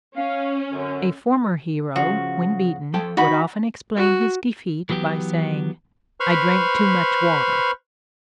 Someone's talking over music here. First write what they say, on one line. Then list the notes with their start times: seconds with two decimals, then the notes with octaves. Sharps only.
A former hero, when beaten, would often explain his defeat by saying: "I drank too much water."
0.16 C#4 F5
0.72 F#2 D3
1.96 C#3 F3 F#4
2.94 F3 A4 G5
3.17 D#4 F#4 B5
3.96 F#4
4.89 E3 F#3 B3 G4
6.20 B4 C5 B5 C#6 F6